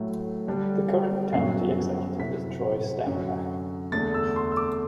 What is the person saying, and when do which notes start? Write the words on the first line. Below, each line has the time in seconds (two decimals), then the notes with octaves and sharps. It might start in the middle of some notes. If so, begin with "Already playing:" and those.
The current county executive is Troy Steckenbach.
Already playing: A2 F#3 A3 E4
0.47 D3 G3 D4
1.33 F#2 D3 F#3 B3 C7
2.19 C3 F#3 C4 E4 B6
3.06 F#2 D3 F#3
3.92 E2 D3 A3 A6
4.14 E6
4.36 C6
4.52 E6
4.57 D6